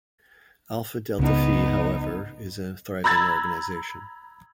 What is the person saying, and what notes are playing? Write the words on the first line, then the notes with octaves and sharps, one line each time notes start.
Alpha Delta Phi, however, is a thriving organization.
C#2 C#3 B3 D#4
A#5 B5 E6 G#6 A6